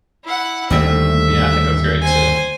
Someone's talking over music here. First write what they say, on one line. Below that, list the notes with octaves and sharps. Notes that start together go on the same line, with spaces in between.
Yeah, I think that's great too,
E4 F#5
D#2 D3 G3 A3 C4 E5
C5 G#5